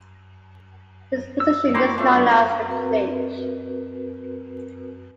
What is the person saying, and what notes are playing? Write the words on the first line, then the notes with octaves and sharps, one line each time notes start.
This position is known as "the Clinch".
E6
A#3 E4 F#4 G5 C6 D6
F3 F#3 A3 D4 F#4
C4 F#4 A#4 B4